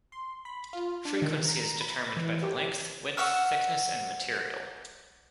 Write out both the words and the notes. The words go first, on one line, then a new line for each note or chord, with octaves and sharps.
Frequency is determined by the length, width, thickness, and material.
C6
B5
F4
D4
D#3
A#5
A#5
B5
E3
G4
F#5 C#6 E6 F6